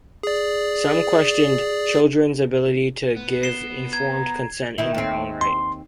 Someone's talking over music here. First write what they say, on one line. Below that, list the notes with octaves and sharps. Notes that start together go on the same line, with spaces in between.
Some questioned children's ability to give informed consent in their own right.
G#4 D5
B3
C7 E7 G7
A#5 G#6
D#3 E4
D#2 C4
C6